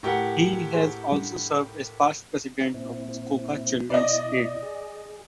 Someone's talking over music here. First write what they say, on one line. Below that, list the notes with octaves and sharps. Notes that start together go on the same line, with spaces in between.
He has also served as past president of Muskoka Children's Aid.
A2 G4 A#4 F#5
A#2 C4 E4
B2 E4 D5 D#5
G#4